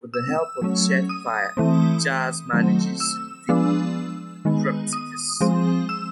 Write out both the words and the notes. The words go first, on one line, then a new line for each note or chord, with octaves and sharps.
With the help of Jetfire, Jazz manages to defeat Bruticus.
E6
F#3 A3 C#4
D#6
E3 A3 C4
D#3 F#3 A3 C4
E6
F3 G#3 B3 D4
D#3 G#3 B3
D#6
F3 G#3 C4
E6